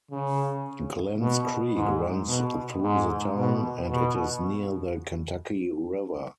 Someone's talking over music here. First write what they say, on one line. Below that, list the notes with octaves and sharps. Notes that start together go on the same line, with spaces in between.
Glenns Creek runs through the town, and it is near the Kentucky River.
C#3
B2
G#2
B2
G#2
B2
B2